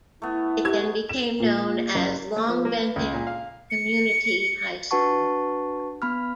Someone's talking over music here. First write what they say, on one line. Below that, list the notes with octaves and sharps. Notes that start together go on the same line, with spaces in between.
It then became known as Longbenton Community High School.
A3 B3 E4
G4 G#6
E7
A#2
F#1
A3
F3
A#3
B4
C#2
A#2
F5
C#7
D4 F#4 B4 F#5 A5 C#6
B3 B5 F6